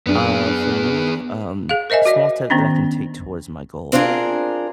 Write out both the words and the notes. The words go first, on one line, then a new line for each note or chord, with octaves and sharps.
Uh, for me, um, a small step that I can take towards my goal.
F#2 B3 D4 G#4
G#4 F5
A#4 C5 D#5 E5 G#5
F#4 D5 D#5
D#3 B3 C#4 D4
C4 D4 F4 G#4 A#4